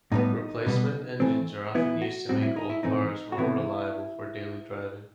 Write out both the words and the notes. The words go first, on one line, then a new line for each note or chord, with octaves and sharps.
Replacement engines are often used to make old cars more reliable for daily driving.
A2 G3 B3 D#4
B2 G3 B3
E3 A3 C4
E3 B3 E4
F#4
A2 G3 C4 F#4
E4
D#4
E4
A2 E3 A3 C4 D#4
F#4
C3 E3 B3 E4